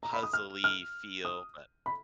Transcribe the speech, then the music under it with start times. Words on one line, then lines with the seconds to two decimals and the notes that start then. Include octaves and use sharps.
puzzle-y feel but,
0.03 A#5
0.13 B5
0.23 D#6
0.33 F6
0.64 F6
1.25 D#6
1.86 B5